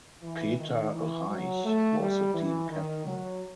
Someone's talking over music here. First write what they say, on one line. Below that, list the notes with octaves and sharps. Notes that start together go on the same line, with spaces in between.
Peter Reich was the team captain.
E3
D#3
E3
F#3
A3
G3
E3
D#3
F#3